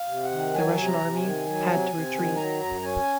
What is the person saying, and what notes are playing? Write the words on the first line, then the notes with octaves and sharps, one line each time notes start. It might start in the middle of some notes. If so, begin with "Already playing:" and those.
The Russian Army had to retreat.
Already playing: F5
C3
F#5
D#3
F#3 G#5
C3
A#5
C3
G#5
D#3
F#3
C3
C3
D#3
F#3 A#5
F#2
C#4 G#5